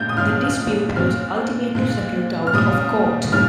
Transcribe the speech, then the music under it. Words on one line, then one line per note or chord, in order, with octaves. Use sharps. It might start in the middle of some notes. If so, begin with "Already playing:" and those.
The dispute was ultimately settled out of court.
Already playing: A#2 G#3 C#4 G6
D#6
A#2 G#3 C#4 F6
A#2 G#3 C4 F6
A#2 G#3 C4
F6
A#2 G3 C#4 D#6
A#2 G3 C#4 F6